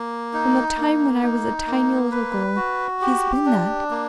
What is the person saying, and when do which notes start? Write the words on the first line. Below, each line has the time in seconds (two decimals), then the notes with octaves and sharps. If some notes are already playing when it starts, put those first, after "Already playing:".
From the time when I was a tiny little girl he has been that.
Already playing: A#3
0.33 D#4
0.77 A#3
1.23 D#4
1.67 A#3
2.11 B4
2.56 F#4
3.02 G4
3.45 D4
3.91 A#3